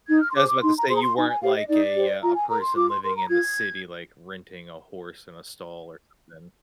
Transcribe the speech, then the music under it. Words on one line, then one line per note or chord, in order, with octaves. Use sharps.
I was about to say, you weren't like a, uh, a person living in the city, like, renting a horse in a stall, or something.
D#4 G#6
F6
C6
G#4 C5 D6
D6
D#4 C6
A#5
G#4 C5 C6
A#5
C6
D#4 G#5
G#5
G4 C5 F5
D#5
D#4 D5
G4 C5
F4 A#5
G#5
A#4 A#5
C6
F4 D6
C6
A#4 C6
A#5
F4 G#6